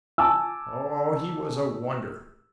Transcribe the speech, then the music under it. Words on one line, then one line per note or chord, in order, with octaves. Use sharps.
Oh, he was a wonder!
G#5 A5 D6 E6